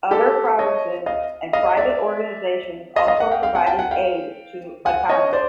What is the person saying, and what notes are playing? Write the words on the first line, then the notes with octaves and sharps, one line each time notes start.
Other provinces and private organizations also provided aid to Batanes.
G4 A4
C#5 D#5
D#5 F5
D#5 F5
D5 E5
D#5 F5
D#5 F5
F#5
F5 G5
F5 G5
F#5 G#5
G5 A5
F#5 G#5
F5 G5
F#5 G#5
C#5 D#5
C5 D5